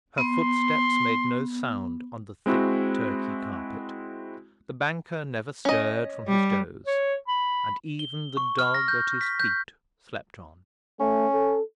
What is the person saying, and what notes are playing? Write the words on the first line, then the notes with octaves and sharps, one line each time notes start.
Her footsteps made no sound on the thick Turkey carpet; the banker never stirred from his doze, and even the dog at his feet slept on.
B3 C6
G#3 C4 E4 F#4
C#4 D#5
G3
C#5
B5
G7
C#6
F6
A#6
G6
B6
G6
A3 C#4
A4